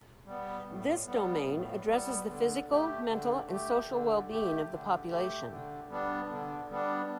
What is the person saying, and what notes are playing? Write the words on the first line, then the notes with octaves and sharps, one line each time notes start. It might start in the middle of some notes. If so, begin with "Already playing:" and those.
This domain addresses the physical, mental, and social wellbeing of the population.
G3 B3
A2
G3 B3
A2
G3 B3
D3
A3 G4
D3
A3 G4
D3
A3 G4
D3
A3 G4
D3
G3 B3 D4
D3
G3 B3 D4